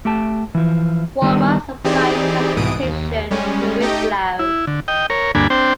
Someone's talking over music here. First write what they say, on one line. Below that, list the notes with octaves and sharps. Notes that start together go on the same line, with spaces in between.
Walmart supplied the transportation to Winslow.
A3 G4 G5 A5
E3 F3
D#3 G3 B3 D4 D#4
E3 C4 D#4 G4 G#4 D5
C2 G#2 B2 E3 D#6 D7
D#2
G3 G#3 C#4
A3 D#4 G4 D#5 G5
E4
D3
D#5 G5
A#4 C#5
D2 G2 A#3 D4 G#5 B5
C4 D4 C5 G5